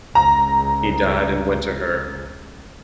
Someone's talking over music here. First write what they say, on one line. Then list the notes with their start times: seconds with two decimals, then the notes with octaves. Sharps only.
He died in Winterthur.
0.15 C#2 A#5